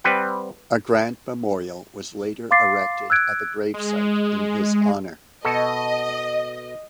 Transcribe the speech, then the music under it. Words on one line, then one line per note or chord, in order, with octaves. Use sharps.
A grand memorial was later erected at the gravesite in his honour.
G3 C4 B4 F#5
F5 C6 D6 A6 C7
E6 F#6 G#6 D7
G#3
B2 F#4 A4 D#5